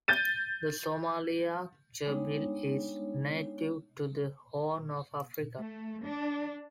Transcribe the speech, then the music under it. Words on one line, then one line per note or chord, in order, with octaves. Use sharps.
The Somalia gerbil is native to the Horn of Africa.
G6 A6 D#7
G3 G#3 B3 D4 D#4 C#5
A3
D4